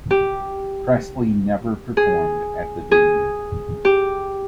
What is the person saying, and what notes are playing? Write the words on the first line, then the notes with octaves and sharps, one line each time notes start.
Presley never performed at the venue.
G4
G#4
G#4
G4